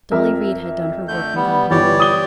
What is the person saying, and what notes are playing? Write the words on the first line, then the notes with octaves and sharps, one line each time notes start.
Dolly Reid had done her work and gone home.
F2 A#4 E5
D3 A3 G6
G3 B3
G1 E3 G4 C#5 D5
D#6 G7